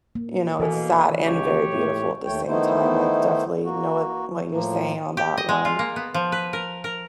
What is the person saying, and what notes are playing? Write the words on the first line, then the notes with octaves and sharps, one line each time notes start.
you know, it's sad and very beautiful at the same time. I definitely know what what you're saying on that one,
A#3
B2 E3 A#3 A4 D#5 G#5
C#2 G4 C#5
A2
D#2 A3 C#5 G5
D#3 A3 B3 D#4 E4 C5
A#3 F#4
A2 F3 A#3
G4
D#5
G#3
F4
A#3
B3
F3
B4
A#4
A#4